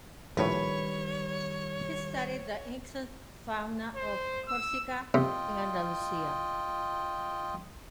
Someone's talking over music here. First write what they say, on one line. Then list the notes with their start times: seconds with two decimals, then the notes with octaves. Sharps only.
He studied the insect fauna of Corsica and Andalusia.
0.37 A#1 A2 D#3 G3 B4 C#5
3.96 C5
4.48 E6
5.14 C3 F4 D#5 G5